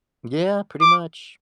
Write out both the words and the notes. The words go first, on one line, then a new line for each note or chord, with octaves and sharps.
Yeah. Pretty much.
D6